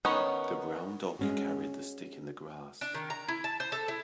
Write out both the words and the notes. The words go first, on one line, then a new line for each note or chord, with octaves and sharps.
The brown dog carried the stick in the grass.
D#3 B3 C#4 C#5
G#3 C#4 F#4
D4
D#3
A#5
E4
A5
C5
A4
E4